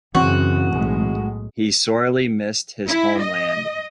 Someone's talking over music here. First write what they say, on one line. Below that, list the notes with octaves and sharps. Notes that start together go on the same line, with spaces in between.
He sorely missed his homeland.
F#2 C#3 E3 C4 F#4
B1 A2 G#3
E4
D#5